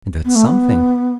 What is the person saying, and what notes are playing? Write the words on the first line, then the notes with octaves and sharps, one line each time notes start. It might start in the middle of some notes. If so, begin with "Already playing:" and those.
And that's something.
B3
A3
B3